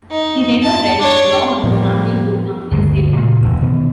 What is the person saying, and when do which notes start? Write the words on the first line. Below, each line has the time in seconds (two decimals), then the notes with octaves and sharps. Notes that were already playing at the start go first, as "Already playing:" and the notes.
He later read law under Samuel Putnam in Salem.
0.11 D#4
0.62 A5
1.00 D4 C#5
1.64 A2 F3 G3 A#3 B3
2.72 G1 D2 C3 G#3
3.16 A#2 C#3 G#3
3.42 E1 D2
3.61 B2 D#3